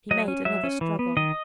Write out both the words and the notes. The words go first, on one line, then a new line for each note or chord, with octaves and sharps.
He made another struggle.
F#3 D#5
C#4
F#3 E5
C#4
E3
B3
D#3 D#5